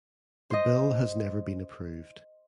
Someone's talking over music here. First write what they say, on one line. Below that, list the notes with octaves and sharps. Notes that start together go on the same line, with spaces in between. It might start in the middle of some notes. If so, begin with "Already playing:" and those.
The bill has never been approved.
C5 D#5